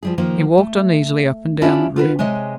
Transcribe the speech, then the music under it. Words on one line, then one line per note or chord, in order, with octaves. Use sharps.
He walked uneasily up and down the room.
F3 G3 G#4
D#3 F3 A#3 F4
A3
C#4 D4 E4 F4 G4 D5
F4 F#4 A#4 B4
C3 G#3 G#4 C#5 D#5 G#5